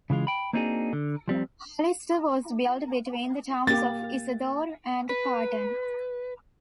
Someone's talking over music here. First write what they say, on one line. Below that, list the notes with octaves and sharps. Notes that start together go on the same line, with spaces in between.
Hollister was built between the towns of Isadore and Parton.
C#3 E3 G#3 F4
G5 B5
A#3 C4 D4 D#4 F#4 G#4
D3
F3 G3 C4
A#3 G4 A6
B4